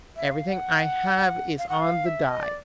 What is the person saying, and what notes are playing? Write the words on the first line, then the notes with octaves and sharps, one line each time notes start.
Everything I have is on the die.
E5
F5
F#5
F5
F#5
F5
E5
D#5
D5